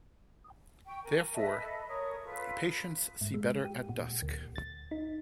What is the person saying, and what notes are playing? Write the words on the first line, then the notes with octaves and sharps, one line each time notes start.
Therefore, patients see better at dusk.
G5 C#6
A#4 G#5
B4 D#5 E5 A5
A4 D#5 B5
A#4 C#5 C#6 D#6
F4 A4 B4
G#2
G#3
G4
A#2
D2
A6
D#4